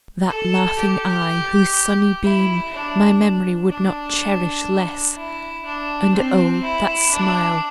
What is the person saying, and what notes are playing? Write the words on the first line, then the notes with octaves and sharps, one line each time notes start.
That laughing eye, whose sunny beam My memory would not cherish less;-- And oh, that smile!
A4
G4
E4
D4
D4
E4
D4
C4
E4
D4